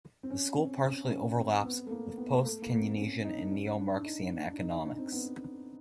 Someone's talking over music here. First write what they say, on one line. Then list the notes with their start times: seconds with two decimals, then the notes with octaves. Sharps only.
The school partially overlaps with post-Keynesian and neo-Marxian economics.
0.23 C4
0.30 C#4
0.57 C4
0.83 C#4
1.10 C#4
1.38 C4
1.64 B3
1.86 A3
1.91 A#3
2.18 B3
2.30 A#3
2.45 A3
2.62 A#3
2.80 C4
2.98 C#4
3.24 D#4
3.38 D4
3.51 C#4
3.78 D4
3.97 D4
4.05 D#4
4.51 D4
4.58 D#4
4.72 D#4
4.85 D4
4.98 C4
5.12 B3